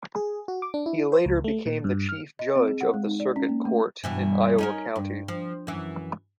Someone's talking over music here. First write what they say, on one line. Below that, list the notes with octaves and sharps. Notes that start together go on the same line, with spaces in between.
He later became the chief judge of the circuit court in Iowa County.
G#4
F#4
D6
D4
E4
C5
C#2
A3
A#2
G2
F6
D#5
C4
G#4
F#5
G#3
D#4
D5
C#4
A#3
A3
G2 B2 E3
C#4 D#4 A#4
G2
F3
F#2 E3